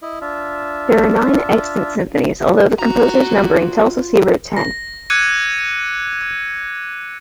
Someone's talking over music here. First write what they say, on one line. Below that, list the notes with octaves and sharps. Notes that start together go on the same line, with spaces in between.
There are nine extant symphonies, although the composer's numbering tells us he wrote ten.
E4 D#5
D4 F4 E5
F4 F#4 A#5
A#6
D6 E6 F#6 G#6 C#7 D#7